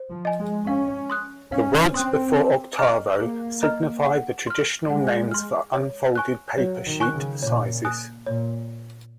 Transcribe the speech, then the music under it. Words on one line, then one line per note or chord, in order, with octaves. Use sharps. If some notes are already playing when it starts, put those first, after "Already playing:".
The words before octavo signify the traditional names for unfolded paper sheet sizes.
Already playing: C5
F3
D#5 G#5
G#3
C#4 F5
C6 D#6 F#6
C#4 F5
C4 C6 D#6 F#6
G#4
D#5 A#5 F6
A#3 G#4
D#5 A#5 F6
F#5
C6 F6
G#3 F#5
C6 F6
C#5
G#5 C#6 F#6
F#3 C#5
D#3
G#5 C#6 F#6
C#3
A#2 C#5
G#5 D#6 F#6
A#2 C#5